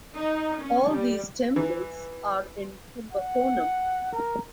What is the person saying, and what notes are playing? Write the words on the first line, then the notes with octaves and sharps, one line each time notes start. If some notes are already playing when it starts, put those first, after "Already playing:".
All these temples are in Kumbakonam.
D#4
C#4
G3
E3
F#5
A#4